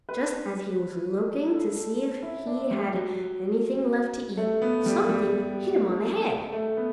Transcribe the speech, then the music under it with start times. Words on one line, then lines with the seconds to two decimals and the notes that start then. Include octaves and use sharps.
Just as he was looking to see if he had anything left to eat, something hit him on the head.
0.09 B4
1.51 A4
1.76 A4
2.23 E4
2.47 D4
2.71 G3
2.94 F#3
4.37 A3
4.62 B3
4.86 G3
5.09 G3
6.52 A3
6.77 B3